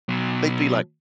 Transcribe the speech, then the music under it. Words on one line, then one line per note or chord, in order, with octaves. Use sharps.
They'd be like
B2 F#3